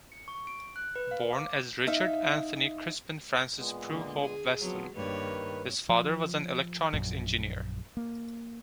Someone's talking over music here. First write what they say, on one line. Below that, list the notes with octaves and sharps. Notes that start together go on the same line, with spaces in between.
Born as Richard Anthony Crispian Francis Prew Hope-Weston, his father was an electronics engineer.
C#7
C#6
D7
F#6
B4
F5
D6
D#4 E5 F5
A#2 G#3 B3
D3 A#3
G#4
F3 F#3 B3 C4
G2 D#3 A#3 B4 C#5
F3
A#1 F#2
A#3